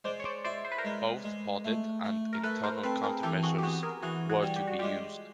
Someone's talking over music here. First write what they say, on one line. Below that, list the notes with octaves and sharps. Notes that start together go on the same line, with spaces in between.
Both podded and internal countermeasures were to be used.
G#3 C5 D5
C#5
C5 D5
E4 C5 D5
C5
B4
A#4 C5
G#3
G#3
A3
A3
A#4
A3 A4 B4
A#4 C5
C4 A4 B4
G#4 A#4
E3 G4 A4
F#4 G#4
G4
B3 F#4 G#4
G#4 A#4
E3 F#4 G#4
F#4 G#4
G3
G4
F#4
G#3 F4 G4